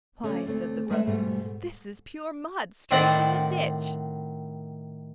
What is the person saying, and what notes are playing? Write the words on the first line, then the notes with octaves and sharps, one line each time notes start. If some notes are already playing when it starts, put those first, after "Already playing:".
'Why!' said the brothers, 'this is pure mud, straight from the ditch.'
D3 A3 C#4
D2 A3 C4
G#3 A3 B4 E5
G#2 B2 G3 A3
A2 D#3 C4 D5 F#5